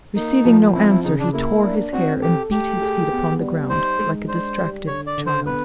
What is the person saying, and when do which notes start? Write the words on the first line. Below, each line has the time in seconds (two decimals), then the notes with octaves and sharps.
Receiving no answer, he tore his hair, and beat his feet upon the ground, like a distracted child.
0.16 A#3 D#4
0.45 F3
0.75 C4 E4
0.90 E4
1.04 C#3 D#4
1.19 D4
1.33 A#3 E4
1.63 D4
1.93 C4 F#4
2.22 G4 A4
2.51 A3 G4
2.81 G#4
3.11 B3
3.39 G3
3.69 D#4 C5
3.99 G#3
4.28 D4 C5
4.58 G3
4.87 D3 C#5
5.07 D5
5.17 D3
5.26 C5
5.46 B3 B4